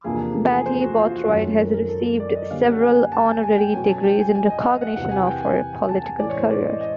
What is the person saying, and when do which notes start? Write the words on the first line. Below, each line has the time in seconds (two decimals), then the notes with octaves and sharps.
Betty Boothroyd has received several honorary degrees in recognition of her political career.
0.04 E2 C3 F3 A#3 D4 G#4
0.20 G#4
0.35 A4
0.50 G#4
0.66 C5
0.81 F#4
0.96 F4
1.07 F4
1.17 F#4
1.27 F#2 D#3 G#3 C#4 F4
1.42 A4
1.58 A#4
1.74 A#4
1.89 A4
2.20 D5
2.35 D#5
2.50 D3 G3 A#3 C#4 F5
2.66 F#5
2.81 G#5
2.96 G#5
3.12 A5
3.27 G#5
3.43 G#5
3.58 G5
3.73 B2 F#3 A3 C#4 G#5
3.89 A5
4.04 G5
4.19 G#5
4.35 G#5
4.50 D#5
4.65 F5
4.81 F#5
4.96 E2 C3 E3 F#5
5.11 G#5
5.27 G5
5.43 G#5
5.73 G#5
5.89 A5
6.04 G#5
6.19 A2 E3 G#3 C#4 D5
6.29 C#5
6.40 C5
6.50 D5
6.66 D#5
6.81 D#5